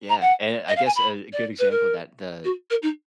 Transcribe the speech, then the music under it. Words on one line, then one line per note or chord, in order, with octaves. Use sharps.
Yeah, and, I guess, a good example of that, the
A#5
F#5
D#5
F5
G#5
B5
D5
B4
A#4
F#4
A#4
D#4